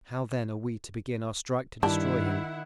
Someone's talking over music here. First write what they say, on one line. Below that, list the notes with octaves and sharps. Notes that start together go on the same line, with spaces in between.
How then are we to begin our strike to destroy him?
G2 D#3 D4 E4 F#5